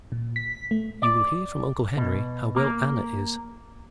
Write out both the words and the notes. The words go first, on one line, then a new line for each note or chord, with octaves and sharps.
'You will hear from uncle Henry how well Anna is.
A#2
B6
A3
D5
B2
A#3